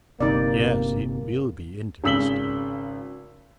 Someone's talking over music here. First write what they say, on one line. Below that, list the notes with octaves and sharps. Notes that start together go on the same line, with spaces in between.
"Yes, it will be interesting."
G1 C3 A#3 D#4 D5
G#1 C#3 E6 B6 F#7 G7